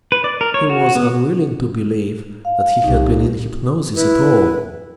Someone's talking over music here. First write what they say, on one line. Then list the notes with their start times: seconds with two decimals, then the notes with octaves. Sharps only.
He was unwilling to believe that he had been in hypnosis at all.
0.12 B4
0.24 D5
0.41 A#4
0.54 C#5
0.70 F#4
0.95 B3
2.45 F5
2.84 C2 D#4 G4
3.96 E4 B4